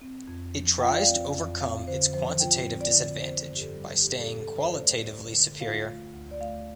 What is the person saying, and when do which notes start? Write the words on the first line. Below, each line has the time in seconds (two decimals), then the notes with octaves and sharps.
It tries to overcome its quantitative disadvantage by staying qualitatively superior.
0.01 C4
0.28 F2
0.55 F3
0.80 F4 G5
0.88 F5
0.94 D5
1.01 F5
1.07 C4
1.34 F2
1.60 C4 F5
1.87 D3 C5
2.14 F3 C5
2.40 F4 G5
2.67 C4
2.81 D5
2.94 D3
3.20 C4 C5
3.48 G2
3.56 G4
3.60 A4
3.74 G3
4.01 G2 G4
4.21 A4
4.28 C4
4.40 A4
4.53 G2 D5
4.60 C5
4.80 A3 D5
5.06 D2
5.33 D3
5.60 F4 F5
5.86 A3
6.13 D2
6.31 D5
6.40 A3 F5